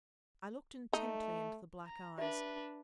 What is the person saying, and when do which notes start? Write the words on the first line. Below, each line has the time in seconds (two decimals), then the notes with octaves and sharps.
I looked intently into the black eyes.
0.93 A3 D#4
1.86 A#5
2.18 D4 G4 B4 D5 E5